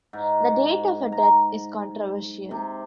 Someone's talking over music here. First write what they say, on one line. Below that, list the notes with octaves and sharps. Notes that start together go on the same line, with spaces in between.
The date of her death is controversial.
G#2
A#5
C3